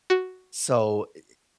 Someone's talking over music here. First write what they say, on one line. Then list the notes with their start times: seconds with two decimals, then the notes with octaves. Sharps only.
So, eh eh
0.10 F#4